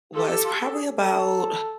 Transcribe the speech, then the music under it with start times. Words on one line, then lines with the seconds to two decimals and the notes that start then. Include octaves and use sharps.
was probably about
0.15 F4 G4 A4
0.44 F4
0.73 G#4
1.02 A4